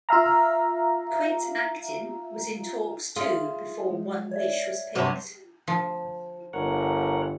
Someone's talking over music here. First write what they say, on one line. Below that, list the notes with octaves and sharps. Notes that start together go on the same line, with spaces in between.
"Quit Actin" was in talks, too, before "One Wish" was picked.
F4 E5 F5 A#5
F4 G#4 E5
G#3
C#5 D5 E5
G2 C3 F#3 B4
F3
G1 A#4 C#5 F#5